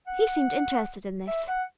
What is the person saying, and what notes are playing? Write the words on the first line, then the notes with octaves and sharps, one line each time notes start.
He seemed interested in this.
F#5
E5
F#5